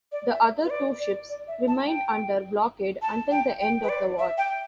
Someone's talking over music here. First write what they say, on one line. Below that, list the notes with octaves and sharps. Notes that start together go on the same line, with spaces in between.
The other two ships remained under blockade until the end of the war.
D5
E5
B4
D5
D5
D5
E5
A5
G5
A5
G5
G5
B4
D5
E5
G5